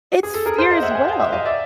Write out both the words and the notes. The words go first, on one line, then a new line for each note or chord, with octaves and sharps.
It's fear as well.
G#4
A4
G#4 A#4
A#4 C5
D#5 F5
E5 F#5
G5
F#5 G#5
F5 G5
E5 F#5
D#5 F5
D5 E5